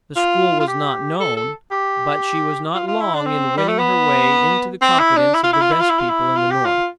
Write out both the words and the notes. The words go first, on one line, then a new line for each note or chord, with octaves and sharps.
The school was not known, but she was not long in winning her way into the confidence of the best people in the North.
F4
F4
G4
A4
A4
G4
F4
F4
E4
D4
C4
G3
A3
B3
C4
E4
D4
E4
F4
E4
F4
E4
F4
E4
F4
E4
F4
G4
F4